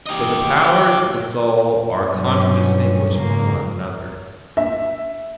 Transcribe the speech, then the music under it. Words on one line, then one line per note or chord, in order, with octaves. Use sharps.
But the powers of the soul are contradistinguished from one another.
G4 D#5
G2 B2 F#3 C#4
G#2 C#3 A#3
E5